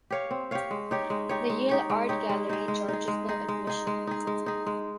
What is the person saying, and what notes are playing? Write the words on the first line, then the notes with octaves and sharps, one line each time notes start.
The Yale Art Gallery charges no admission.
G4 C#5 F5
C4
G4 C#5 F5
G#3
D#4 G4 C#5
G#3
D#4 G4 C#5
G#3
D#4 G4 C#5
G#3
D#4 G4 C#5
G#3
D#4 G#4
G#3
D#4 G#4
G#3
D#4 G#4
G#3
D#4 G#4
G#3
D#4 G#4
G#3
D#4 G#4
G#3